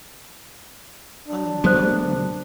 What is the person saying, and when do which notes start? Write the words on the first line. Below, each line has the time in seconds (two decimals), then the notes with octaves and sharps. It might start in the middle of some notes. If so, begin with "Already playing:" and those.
"I am hungry."
1.28 D4
1.64 D2 F#3 B3 F#4 A4 C5